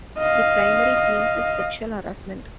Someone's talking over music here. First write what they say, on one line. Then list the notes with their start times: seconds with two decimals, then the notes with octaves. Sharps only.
The primary theme is sexual harassment.
0.19 D#5 F5